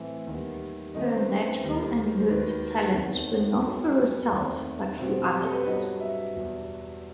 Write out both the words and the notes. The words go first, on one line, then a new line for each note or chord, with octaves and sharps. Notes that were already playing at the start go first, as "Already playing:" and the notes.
Her natural and learned talents were not for herself but for others.
Already playing: A2 E3 A3 C4 E5
D#2 D#3 G3 B3
F#2 D#3 A3 C4 D#5
C5
B4
C5
D#2 D#3 G3
C5
D#2 D#3 F#3 B4
E2 D#3 A3 C4
G2 F#3 B3 A4
B4
E2 D#3 A3 C4 C5
B2 G3 C4
G4
A4
B4
C5
G2 F#3 B3 D#5
E5
E2 B2 G3